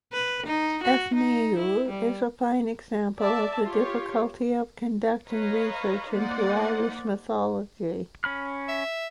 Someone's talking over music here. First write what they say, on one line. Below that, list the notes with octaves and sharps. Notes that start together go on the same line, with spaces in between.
Ethniu is a fine example of the difficulty of conducting research into Irish mythology.
B4
D#4
F#4
D#4
E4
G3
D5 E5 A5
F4 G4 C#5
B4 C#5 D#5 F5 A#5
A#3 D#4 C5 D5 D#5 F#5
C#4 B5 F6
E5